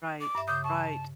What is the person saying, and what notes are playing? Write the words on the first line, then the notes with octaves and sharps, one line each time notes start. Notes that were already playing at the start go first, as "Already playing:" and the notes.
Right, right.
D6
G2 E5
C#3 D6 D#6 G6
A5 C#6